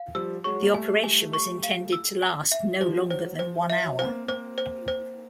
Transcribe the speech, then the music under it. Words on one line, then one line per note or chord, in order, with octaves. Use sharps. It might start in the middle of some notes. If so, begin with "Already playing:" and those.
The operation was intended to last no longer than one hour.
Already playing: F5
F3 G3 E6
F#3 G#3 C#6
A#3
G3 A3 G#5
G#5
C#6
F5
E6
G#5
E5
F3 G3 C5
F#3 C5
F3 C5
F3
E5
F#3
B3 C5
A#3 C4
A#3 C4 C5
C5
C5